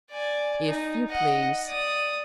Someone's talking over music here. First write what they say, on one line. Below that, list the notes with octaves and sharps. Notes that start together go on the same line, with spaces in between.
"If you please."
D5 G#5
D#4
D#5 F#5
D5 D#6